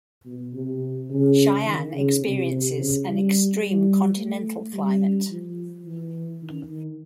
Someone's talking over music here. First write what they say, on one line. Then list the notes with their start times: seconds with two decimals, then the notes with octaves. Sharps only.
Sheyenne experiences an extreme Continental climate.
0.26 B2
0.54 C3
1.10 C#3
1.65 D#3
1.94 C#3
2.22 C3
2.50 C3
2.78 C#3
3.05 G3
3.61 G3
4.17 A3
4.73 G3
5.30 F3
5.86 E3
6.42 D#3
6.70 D#3